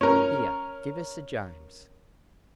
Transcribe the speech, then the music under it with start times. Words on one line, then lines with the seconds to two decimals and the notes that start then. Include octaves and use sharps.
"Here, give us a james."
0.01 C#4 A#4